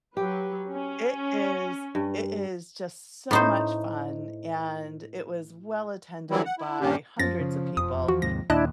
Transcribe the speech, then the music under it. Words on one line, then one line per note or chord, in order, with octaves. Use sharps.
It is it is just so much fun, and it was well attended by hundreds of people.
F#3 G4 B4
C#4
G2
A2 D#4 C5
E3 F#3 G3 C4 E4
F#5
E4
G2 A#2 D#3 C#4 D4 G4
F#2 F3 A6 A#6
C#3
E1 F2 D#6
E2 F#4
D#2 G#2 C3 A#6
D#2 A#2 D4 E4 D#5 A5 F#6